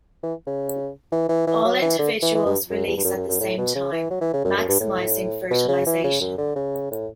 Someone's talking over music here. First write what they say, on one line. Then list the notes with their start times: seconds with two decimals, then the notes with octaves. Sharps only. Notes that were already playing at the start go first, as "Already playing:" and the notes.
All individuals release at the same time, maximising fertilisation.
0.23 E3
0.47 C#3
1.12 E3
1.29 E3
1.47 E3
1.65 F#3
1.81 E3
1.99 D3
2.22 E3
2.35 E3
2.46 G2
2.70 F#2
2.87 E2
2.97 G2
3.05 F#2
3.16 F#2
3.29 F#2
3.40 A2
3.58 B2
3.75 C#3
3.92 E3
4.11 F#3
4.21 E3
4.33 C#3
4.45 F#2
4.57 F#2
4.69 G2
4.80 A2
5.51 B2
5.68 C#3
5.86 E3
6.04 C#3
6.21 F#2
6.38 D3
6.56 C#3
6.91 A2